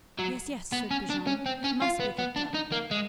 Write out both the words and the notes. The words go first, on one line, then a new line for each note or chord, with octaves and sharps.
"Yes, yes," said Brujon, "it must be looked up."
F#3
B3
C#4
D4
C#4
C4
C#4
F4
B3
B3
D4
D#4
A#3
G#3